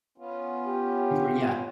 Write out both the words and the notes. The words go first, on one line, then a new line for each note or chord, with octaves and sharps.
M great, yeah.
B3 C#4 F4
G4